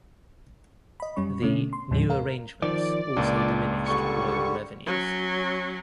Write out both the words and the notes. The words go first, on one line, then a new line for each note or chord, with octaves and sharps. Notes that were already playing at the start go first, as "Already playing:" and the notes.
The "new arrangements" also diminished royal revenues.
D#5 B5
F#2 G3 C#4 C#6
B2 D3 A3 C#4
C6
D#2 A2 D#3 F3 G#3 C#4
A#4 F5
D#3 F3 D5
C#2 A#2 D4
D3 G3 C#6
F#3 C#4